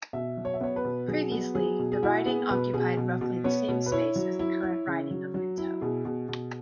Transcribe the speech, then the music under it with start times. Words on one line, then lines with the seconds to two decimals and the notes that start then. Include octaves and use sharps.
Previously, the riding occupied roughly the same space as the current riding of Minto.
0.13 B2 E5
0.37 F#3
0.45 C#5
0.54 E5
0.61 B3 C#5
0.76 B4
0.84 B2
1.08 F#3 G#4
1.32 B3
1.55 F#3 G#4
1.79 B2
1.92 G#4
2.03 E4 F#4
2.26 B3 G#4
2.50 B2 B4
2.73 B2 G#4
2.97 B2
3.21 B2
3.44 B3 C#5
3.68 B2
3.86 B4
3.92 E4 C#5
4.16 F#3
4.39 E4
4.63 E4
4.87 C#3
5.11 F#3
5.34 F#3
5.58 E4
5.81 B2 G#4
6.05 B2
6.29 B2